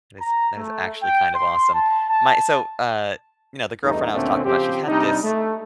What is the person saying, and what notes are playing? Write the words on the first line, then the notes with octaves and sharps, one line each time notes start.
That is that is actually kind of awesome. My so, uh, you know, the girlfriend I was talking about, she had this
A#5
A3
G5
C6
A5
A5
E2 G2 A3 D#4
D2 A#2 D3 A3 C4 C#4
C#3 F3 C4 G4
C3 G3 D4 D#4
A3